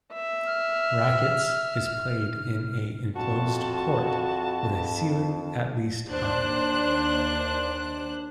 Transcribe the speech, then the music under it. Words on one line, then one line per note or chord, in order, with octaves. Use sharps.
Rackets is played in a enclosed court, with a ceiling at least high.
E5
F6
F2 F#4 A5
D#2 D4 C5 F#6